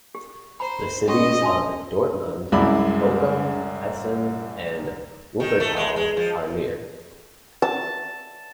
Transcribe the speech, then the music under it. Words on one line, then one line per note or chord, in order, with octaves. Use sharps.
The Cities of Dortmund, Bochum, Essen and Wuppertal are near.
G4
C5 A#5 B5
C#4 F#4 G4 D#5
D4 A5 C6
C2 F#2 G#3 E4 B5 D6
D#3
A3
G#3
G#3
F3
A5